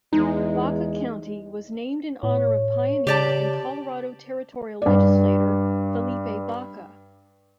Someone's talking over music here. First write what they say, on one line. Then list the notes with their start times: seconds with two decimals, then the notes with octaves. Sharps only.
Baca County was named in honor of pioneer and Colorado territorial legislator Felipe Baca.
0.13 E2 G#3 D#4
2.23 A2 C#5
3.07 C#3 G4 D5 A5
4.82 G2 D5